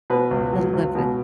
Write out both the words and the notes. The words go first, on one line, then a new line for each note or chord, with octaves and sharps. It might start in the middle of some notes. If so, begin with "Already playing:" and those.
to live with
B2 B4
C#2
F#3
C#2
B2